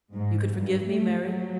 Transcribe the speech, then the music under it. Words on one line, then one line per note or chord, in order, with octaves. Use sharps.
"You could forgive me, Mary?"
G#2
G2
A3
F#3